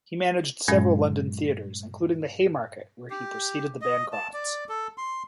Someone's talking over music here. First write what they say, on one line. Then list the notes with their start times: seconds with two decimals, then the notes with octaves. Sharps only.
He managed several London theatres, including the Haymarket, where he preceded the Bancrofts.
0.68 G2 A#2 F#3 G#3 C#4
3.10 G4
3.81 D#5
4.13 A5
4.33 D5
4.69 A4
4.98 C6